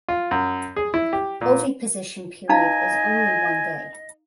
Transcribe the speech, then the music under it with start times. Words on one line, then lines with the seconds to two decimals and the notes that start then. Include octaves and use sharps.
Oviposition period is only one day.
0.08 F4
0.31 F#2
0.76 G#4
0.94 E4
1.13 G4
1.41 A#2
2.49 D#4 D#5 F5 G#5 A#5